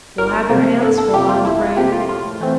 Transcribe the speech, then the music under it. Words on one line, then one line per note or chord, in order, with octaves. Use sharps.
You'll have your hands full, I'm afraid.
G1 A#4
F2 C3 F3 A#3
G1 A4
A4
F2 C3 F3 A#3 G4
F4
G1 E4
F4
F2 C3 F3 A#3 G4
F4
A2 F4
E3 A3 C4